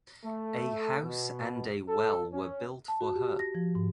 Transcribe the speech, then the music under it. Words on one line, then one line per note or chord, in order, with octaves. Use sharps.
A house and a well were built for her.
A3
B2
A4
C#4
A5
F#4
G4
A#6
F3
G#2